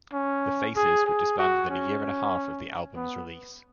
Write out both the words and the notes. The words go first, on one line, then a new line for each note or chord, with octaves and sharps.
The Faces would disband within a year and a half of the album's release.
C#4
G#4
G#4
F#4
C#4
B3